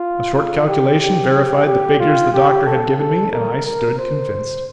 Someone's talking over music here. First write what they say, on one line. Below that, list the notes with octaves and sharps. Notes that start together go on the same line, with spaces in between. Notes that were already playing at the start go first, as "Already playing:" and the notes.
A short calculation verified the figures the Doctor had given me, and I stood convinced.
Already playing: F4
F4
G4
G4
G4
G4
F4
G4
A4
A4
A#4
A#4
C5